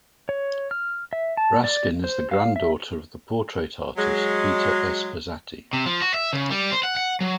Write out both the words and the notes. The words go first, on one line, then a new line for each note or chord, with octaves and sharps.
Raskin is the granddaughter of the portrait artist Peter S. Pezzati.
C#5
F6
E5
A5
D5
C5
F5
E5
F#3 G#3
C3
F3
F#4
E5
C#3
G3
C5
F#5
F#5
F#3